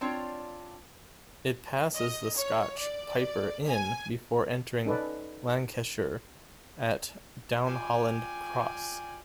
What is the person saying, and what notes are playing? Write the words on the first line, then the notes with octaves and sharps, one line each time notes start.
It passes the Scotch Piper Inn before entering Lancashire at Downholland Cross.
C4 D4 F4 C#5
D#5
C#5
D5
G#5
C#4 D#4 A4 B4 D5
F4 D5 G5 G#5